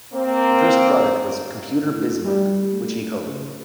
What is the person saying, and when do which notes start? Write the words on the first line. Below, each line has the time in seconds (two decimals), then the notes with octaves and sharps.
The first product was "Computer Bismarck", which he co-wrote.
0.13 A#3 C4
1.86 A2
2.24 G3
2.71 A3
3.26 C#3